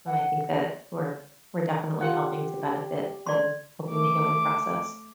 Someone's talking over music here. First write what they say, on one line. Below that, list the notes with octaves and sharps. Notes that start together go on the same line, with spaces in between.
then I think that we're we're definitely helping to benefit and helping the healing process.
F#5
F4 G4 F#5
D5 C6
A3 D6